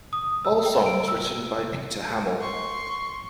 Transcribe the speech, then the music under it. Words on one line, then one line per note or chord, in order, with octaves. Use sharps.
All songs written by Peter Hammill.
D#6
E6
G5
D7
E6
C6 C#6